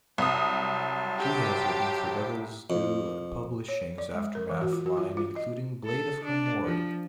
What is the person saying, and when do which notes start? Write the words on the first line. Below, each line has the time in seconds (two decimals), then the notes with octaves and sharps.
He has written for Devil's Due Publishing's Aftermath line including "Blade of Kumori".
0.18 C2 F#3 C5 A5 D#6
1.19 G4
2.70 F2
3.68 C#5
3.98 D5
4.14 G#3
4.35 A#4
4.50 E3
4.61 F#4
4.73 F4
4.86 F#4
4.97 F4
5.17 F4
5.36 D#5
5.85 A4
6.24 D4
6.64 F3